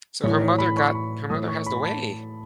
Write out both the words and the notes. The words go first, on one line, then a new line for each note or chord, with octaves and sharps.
So, her mother got her mother has the way.
A2 E3 C#5
C#5
B5
C#6
B5
A2 E3 D#6
C#6
B5
A5